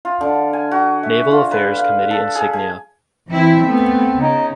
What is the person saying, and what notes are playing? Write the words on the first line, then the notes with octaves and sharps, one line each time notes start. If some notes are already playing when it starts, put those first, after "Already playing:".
Naval Affairs Committee insignia.
F4
D3
G#5
F#4
E5
F4
B4
F5
A4
G#4
G#5
E3 C4 E4 E5
A3 B3
C#3 D#4